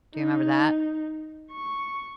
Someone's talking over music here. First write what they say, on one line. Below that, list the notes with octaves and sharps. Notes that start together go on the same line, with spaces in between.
do you remember that?
D#4
C#6